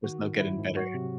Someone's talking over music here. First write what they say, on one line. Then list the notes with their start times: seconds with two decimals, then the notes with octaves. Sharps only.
there's no getting better."
0.04 D#3 F#4
0.22 D#3
0.40 G#2 E4
0.59 G#2
0.77 F#3 F#4
0.94 C3